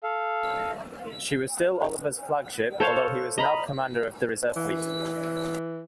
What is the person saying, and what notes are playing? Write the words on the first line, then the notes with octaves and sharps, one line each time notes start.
She was still Oliver's flagship, although he was now commander of the Reserve Fleet.
A4 F5
A4 C5 C#5 F5
D#5 A#5 B5
E3